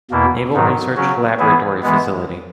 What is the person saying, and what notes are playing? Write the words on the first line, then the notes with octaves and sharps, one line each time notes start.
Naval Research Laboratory facility.
E2 B2 A#3 E4
G#2 D#3 F#3
C#3 F#3 C#4 F#4
E3 B3 E4 G#4
E3 G#3 B3